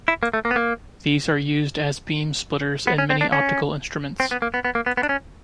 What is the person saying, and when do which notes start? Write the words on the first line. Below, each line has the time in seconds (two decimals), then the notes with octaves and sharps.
These are used as beam splitters in many optical instruments.
0.08 E4
0.23 A#3
0.34 A3
0.45 A#3
0.51 B3
0.56 A#3
2.87 B3
2.98 C#4
3.10 C4
3.21 D4
3.32 C#4
4.20 C4
4.31 B3
4.42 A#3
4.54 B3
4.65 B3
4.75 A#3
4.86 B3
4.97 B3
5.03 D4
5.09 C#4